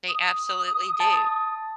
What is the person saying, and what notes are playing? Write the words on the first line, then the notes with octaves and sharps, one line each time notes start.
They absolutely do.
D#6
A5